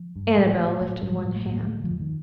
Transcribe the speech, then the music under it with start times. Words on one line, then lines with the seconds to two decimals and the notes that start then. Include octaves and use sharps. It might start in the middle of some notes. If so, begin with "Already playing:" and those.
Annabel lifted one hand.
Already playing: F3
0.16 G2
0.37 A2 G3
0.58 A2 A3
0.81 A2 A3
1.03 A2 G3
1.12 F3
1.19 G3
1.25 A2
1.35 A3
1.46 A2
1.51 A#3
1.63 G3
1.67 D3 A3
1.84 F3
1.90 F2
2.00 D#3